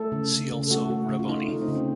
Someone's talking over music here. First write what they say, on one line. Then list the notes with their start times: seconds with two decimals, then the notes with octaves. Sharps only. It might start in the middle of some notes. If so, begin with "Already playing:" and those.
See also Rabboni.
Already playing: A3 A4
0.12 C#3
0.32 C#3
0.51 C#3
0.64 A4
0.70 A3 F#4
0.90 A3 F#4
1.10 C#3
1.19 F4
1.29 A3 D#4
1.48 A3 D#4
1.62 C4
1.68 C#3
1.75 C4